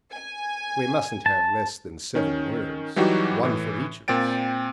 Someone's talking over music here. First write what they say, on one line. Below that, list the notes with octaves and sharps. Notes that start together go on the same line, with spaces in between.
"We mustn't have less than seven words, one for each of us."
G#5
A5
D#3 C#4
E3 F#3 G3 D#4 F#4 G4
A2 E3
A#2 C4 G5 A6 D7